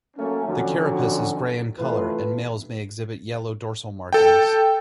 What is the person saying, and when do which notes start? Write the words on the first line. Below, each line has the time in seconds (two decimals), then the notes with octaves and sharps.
The carapace is grey in color and males may exhibit yellow dorsal markings.
0.17 F#3 A3 A#3 C#4
0.47 F2 D3 F#3 C#4 D4 F#4
1.79 C3 E3 A3 F4 B4
4.13 A4 G5